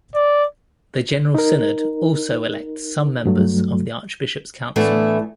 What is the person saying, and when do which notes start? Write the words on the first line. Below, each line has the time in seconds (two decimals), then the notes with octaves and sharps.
The General Synod also elects some members of the Archbishops' Council.
0.15 D5
1.35 D#4 A#4
3.25 G2 F#3 A3
4.76 A2 E3 A3 B3 D4